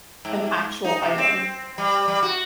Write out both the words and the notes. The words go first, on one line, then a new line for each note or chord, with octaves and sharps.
an actual item?
G#2
D#4
C3
C4
G3
G3
F#4